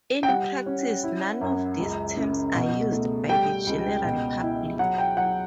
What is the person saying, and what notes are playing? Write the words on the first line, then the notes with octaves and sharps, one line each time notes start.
In practice, none of these terms are used by the general public.
G5
G3 F#5
C#4
E4
F#2
C#2
C#3
B2
A3
G3 G5
C#2
B2
E4
F#3 F#5
G5
F#3 F#5